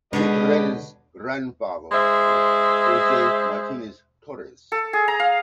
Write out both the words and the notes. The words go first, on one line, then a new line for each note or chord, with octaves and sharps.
Gutierrez grandfather was Jose Martinez Torres.
B2 D3 G#3 D4 G4 B4 C#5 D#5
G#3 C5 E5
A4
G#4
A#5
F5